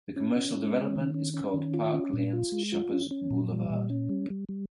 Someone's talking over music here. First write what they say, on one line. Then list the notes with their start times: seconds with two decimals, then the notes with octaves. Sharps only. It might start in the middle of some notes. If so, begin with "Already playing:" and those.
The commercial development is called "Park Lane Shopper's Boulevard".
0.16 C#4
0.36 C#4
0.56 G#3
0.75 C#4
0.96 D#3
1.14 C#4
1.34 C#4
1.54 D#3
1.74 F4
1.93 C#4
2.13 A#2
2.33 F4
2.52 G#3
2.72 F4
2.92 C#4
3.11 C#4
3.31 A#2
3.50 G3
3.70 A#2
3.90 C#4
4.09 G3
4.30 G3
4.49 G3